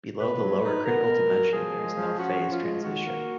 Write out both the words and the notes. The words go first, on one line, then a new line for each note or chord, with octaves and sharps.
Below the lower critical dimension there is no phase transition.
B2 B4
F#3
D#4
B3 A#4
B2
F#3
F3 G#4
G#3
F3
C#4 F#4
F3
F4
G#3
D#3 F#4
A#3